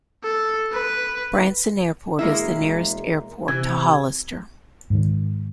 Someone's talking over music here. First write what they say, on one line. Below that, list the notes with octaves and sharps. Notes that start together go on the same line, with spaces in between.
Branson Airport is the nearest airport to Hollister.
A4
B4
E1 G#3 A#3 E4
C3 E3 G#6
G#2 D#3